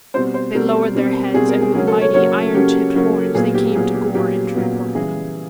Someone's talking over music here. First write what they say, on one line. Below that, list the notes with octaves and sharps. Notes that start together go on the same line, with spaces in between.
They lowered their heads, and with mighty, iron-tipped horns they came to gore and trample him.
B2 G3 C4 C5
C5
B2 G3 C4 A#4
B2 G3 C4
B2 G3 C4 G#4
A#4
G#4
C#3 F#3 A#3 C#4 G#4
A4
C#5
C#3 F#3 A#3 C#4 C#5
C#3 F#3 A#3 C#4 G4
C#3 F#3 A#3 C#4
A#2 F#3 B3 G#4
G4
A#2 F#3 B3 G#4
G4
A#2 F#3 B3 G4
A#2 F#3 B3
C#3 E3 G3 G#4